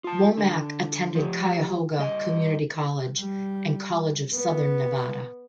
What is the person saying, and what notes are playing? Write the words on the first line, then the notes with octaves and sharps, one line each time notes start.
Womack attended Cuyahoga Community College and College of Southern Nevada.
F4 A5
D3
F3 G4
G2 D#5
G3
B3